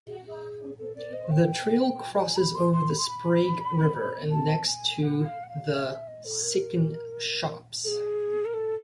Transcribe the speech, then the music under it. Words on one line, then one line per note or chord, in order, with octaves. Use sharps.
The trail crosses over the Sprague River and next to the Sycan Shops.
G#4
G#4
A4
D5
D#5
G5
G#5
B5
C6
C6
B5
C6
B5
A5
G#5
F#5
F5
F#5
F5
E5
E5
D#5
A4
A#4
A4
G#4
A#4
A4